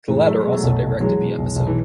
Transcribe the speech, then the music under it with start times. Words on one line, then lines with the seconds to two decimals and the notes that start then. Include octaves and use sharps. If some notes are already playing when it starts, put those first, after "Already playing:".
The latter also directed the episode.
0.08 A2 E3 G#3
0.27 F#3 A3
0.40 B2 G#3
0.52 F#3 A3
0.63 B1
0.82 B1
1.00 E3 F#3 G#3
1.19 B2
1.38 B1
1.56 B1
1.67 E3